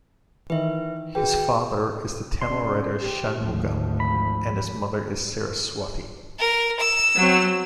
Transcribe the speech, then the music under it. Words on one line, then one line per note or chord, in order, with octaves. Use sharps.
His father is the Tamil writer Shanmugam and his mother is Saraswathi.
D#3 E3 B4 E5
F#4 G#4 B4 G5
C#3 D5 C6
G4
G#1 D2 F3 A3
B5
A#4
E6
F#3 C4